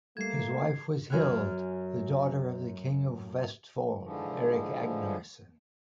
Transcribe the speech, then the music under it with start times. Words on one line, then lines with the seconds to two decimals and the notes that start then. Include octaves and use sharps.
His wife was Hild, the daughter of the king of Vestfold, Erik Agnarsson.
0.17 G3 A3 A#3 G#6 C7 E7
1.10 F#2 G#5 F6 F#6
4.02 G#2 D3 E3 F3